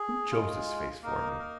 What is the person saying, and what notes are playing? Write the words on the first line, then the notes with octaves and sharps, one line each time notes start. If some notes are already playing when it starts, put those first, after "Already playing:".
Who chose this face for me?
Already playing: G#4
G#3 F4
A#3 D#4 A#4
A#4